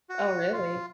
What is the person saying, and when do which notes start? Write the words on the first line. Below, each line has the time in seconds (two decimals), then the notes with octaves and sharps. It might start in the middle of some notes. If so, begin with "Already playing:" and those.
Oh, really?
0.09 F#4
0.53 F4